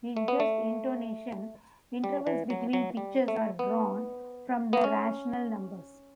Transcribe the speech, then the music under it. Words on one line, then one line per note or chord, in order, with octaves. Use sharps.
In just intonation, intervals between pitches are drawn from the rational numbers.
A3
B3
A3
G3
E3
F#3
F#3
G3
A3
B3
B3
C#4